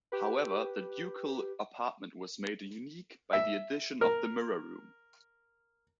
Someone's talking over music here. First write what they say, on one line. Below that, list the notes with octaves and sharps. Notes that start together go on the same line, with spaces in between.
However, The Ducal apartment was made unique by the addition of the Mirror Room.
G4 B4
E5
A#4